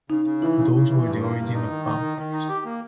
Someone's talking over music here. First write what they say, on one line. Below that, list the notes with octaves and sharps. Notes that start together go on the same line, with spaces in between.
Those were the origin of vampires.
C#3 D#4
C#3
E3 E4
C#3
C#3
E3
G2
A#3
G2
D#4
D#3
D#4
D#3
D#3
D#4
G4
A#3